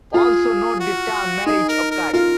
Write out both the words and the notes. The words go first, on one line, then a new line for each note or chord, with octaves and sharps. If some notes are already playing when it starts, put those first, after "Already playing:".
Also note the term Marriage of cards.
F4 G#4
F#4
D#4 G#4
A#4
A#4
F4 A#4